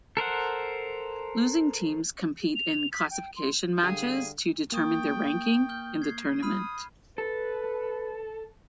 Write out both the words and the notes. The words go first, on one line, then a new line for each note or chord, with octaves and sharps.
Losing teams compete in classification matches to determine their ranking in the tournament.
A4 A#4 C5 F#5
F7
B6
G5
C6
D3 G3 G4 G#4 F5
A#3 G5 C#6 D#6 A6
F6 G6 G7
G#6 C7
B5 D#6 F6 D#7
A4 B4